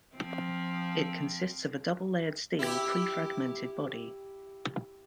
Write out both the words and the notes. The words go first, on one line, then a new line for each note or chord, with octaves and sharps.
It consists of a double layered steel pre-fragmented body.
F3 C4
E4 G4